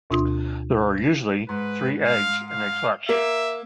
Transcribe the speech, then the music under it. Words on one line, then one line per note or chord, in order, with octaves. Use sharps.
There are usually three eggs in a clutch.
D2 B2 D4 F4 C6 D#6
G#2 B4
F5
F5
A#3 E5